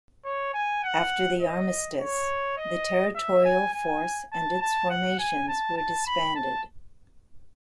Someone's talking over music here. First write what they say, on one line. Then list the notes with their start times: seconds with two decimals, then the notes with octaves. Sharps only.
After the Armistice, the Territorial Force and its formations were disbanded.
0.25 C#5
0.54 G#5
0.84 F#5
1.41 D#5
2.00 C#5
2.57 D#5
3.16 E5
3.45 G#5
3.73 G#5
4.32 A5
4.61 A5
4.90 F#5
5.19 G#5
5.48 A5
5.77 A5
6.07 B5
6.36 A5